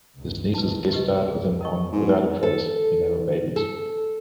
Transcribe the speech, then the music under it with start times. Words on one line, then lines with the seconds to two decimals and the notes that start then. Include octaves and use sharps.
His nieces guest starred with him on 'Without a Trace' when they were babies.
0.16 C#2 G2
0.54 B1 C3 D#3 B4 A5
0.93 C#2 G4 B4 D#5
1.28 G#4
1.61 A#4 D#5 C#6
1.92 G#2 B3
2.43 A4
3.56 A4